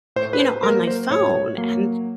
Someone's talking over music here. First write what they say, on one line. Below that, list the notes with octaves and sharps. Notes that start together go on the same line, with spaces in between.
you know, on my phone, and
A2 C5
B4
C5
F#3 A#3 A#4
C5
A2 C#5
F#3 A#3